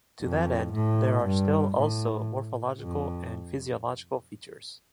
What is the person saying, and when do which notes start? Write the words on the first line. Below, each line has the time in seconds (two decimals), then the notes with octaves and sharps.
To that end, there are still also morphological and physiological features.
0.22 F2
0.73 A2
1.25 G2
1.77 A2
2.80 F2